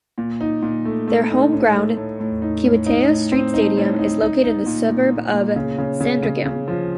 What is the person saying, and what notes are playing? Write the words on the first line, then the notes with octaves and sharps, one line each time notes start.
Their home ground, Kiwitea Street Stadium, is located in the suburb of Sandringham.
A#2
D#4
A#2
A3
A3
D#4
A2
A3
A2
A2
D#4
A2
D#4
A2
C4
D#4
A2
D#4
D#4
D#4
A#2
A#2
A#2
A#2
C#3
C#3
C#3
C#3
C#3
F3